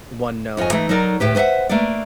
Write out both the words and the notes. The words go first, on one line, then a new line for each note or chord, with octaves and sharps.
one note,
F2 F4 C#5 D#5 G#5
E3 A3 D#4
F#3 D#4 A4 A#4 D5
D2 A2 G4 B4
B4 C5 D5 E5 F#5
A3 A#3 D4 B4 D5